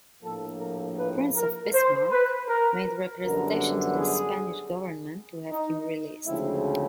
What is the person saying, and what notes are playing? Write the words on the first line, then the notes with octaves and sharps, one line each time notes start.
The Prince of Bismarck made representations to the Spanish government to have him released.
A#1 A2 F3 A#3 A4
A#4
B4
A#4
C5
B4
A#4
F#2 D3 G3 B3 A#4
G#4
D#4
D2 C#3 F3 G#3 C4 E4